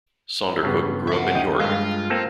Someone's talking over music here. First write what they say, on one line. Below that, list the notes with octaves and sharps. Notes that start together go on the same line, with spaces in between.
Saundercook grew up in York.
G2 C#3 B3
E5 F#5
D#2 D#5 G5
G2 G#3 F4 F5
A#3 C4 A4